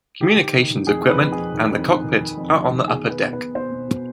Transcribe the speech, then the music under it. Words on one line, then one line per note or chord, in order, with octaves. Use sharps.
Communications equipment and the cockpit are on the upper deck.
D#3 G4
D#3
D#3
D#3
F2 G#4
F2
B4
F2
G#4
F2
D#3
F2
D#3
D#3
D#3
F2
F2
D#3
B2 G#4
B2
B4
B2
B4
B2
B2 C5
B2
B2